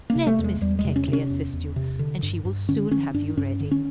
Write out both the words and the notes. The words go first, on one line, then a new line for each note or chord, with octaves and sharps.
"Let Mrs. Keckley assist you, and she will soon have you ready."
A#3
C3
A3
E2
G#3
E2 G3
G#3
C3
C#4
C3
C#4
E2
E2
C3
D3
G2
G2
D3 C#4
D3 C#4
G2 D4
G2 C#4
D3
C#4